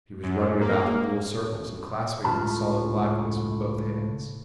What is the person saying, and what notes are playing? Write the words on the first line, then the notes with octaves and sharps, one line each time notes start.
He was running about in little circles and clasping at the solid blackness with both hands.
F#2
A#3
C#2 A2 C#3 F4 B4 A5